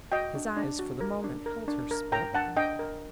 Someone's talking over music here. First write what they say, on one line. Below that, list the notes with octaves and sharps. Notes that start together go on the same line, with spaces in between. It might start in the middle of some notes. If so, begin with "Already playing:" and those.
His eyes for the moment held her spellbound.
F#4 D#5 G5
D4
D4
F#4
A#4
D4
A#4
D4
A#4
A#4 G5 A#5
D4 F#5 A5
D4 D#5 G5
A#4